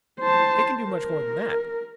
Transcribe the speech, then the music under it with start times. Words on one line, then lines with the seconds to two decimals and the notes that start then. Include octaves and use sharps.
It can do much more than that.
0.20 C5 A5
0.90 A#4